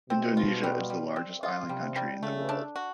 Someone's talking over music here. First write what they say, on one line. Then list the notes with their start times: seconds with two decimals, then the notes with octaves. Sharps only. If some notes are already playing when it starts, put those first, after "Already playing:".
Indonesia is the largest island country in the world.
0.10 B2 C4
0.37 F4
0.63 G3
0.90 G3
1.16 C4
1.43 F4
1.69 C3 G3
1.96 G3
2.22 C#3 A3
2.49 D4
2.76 F#4